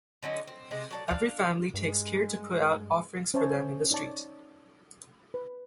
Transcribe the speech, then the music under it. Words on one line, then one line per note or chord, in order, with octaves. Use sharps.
Every family takes care to put out offerings for them in the street.
D3 F#3 C#4 D#4
C4
C3 G#3 C5
F#3 A4 D5
D4 F5
G2 G#3
C#4 C5 C#5 E5 A5
D#4 C#5 D5 A5
B4